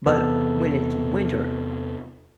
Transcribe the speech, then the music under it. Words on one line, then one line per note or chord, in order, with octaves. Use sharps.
but, when it's winter,
E2 C3 E3 B3 A4